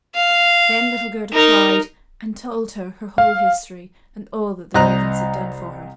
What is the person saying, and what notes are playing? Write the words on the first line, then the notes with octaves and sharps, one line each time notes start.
Then little Gerda cried, and told her her whole history, and all that the Ravens had done for her.
F5
D#4 A#4
F5
C2 C5 D#5 A#5 F#6